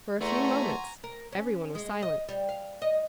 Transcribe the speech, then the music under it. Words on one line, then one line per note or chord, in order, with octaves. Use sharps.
For a few moments every one was silent.
E2 A3 F#5 G#5 A#5 C6 C#6
A#4
C#4
G#3
D#5
G3
F5
D#5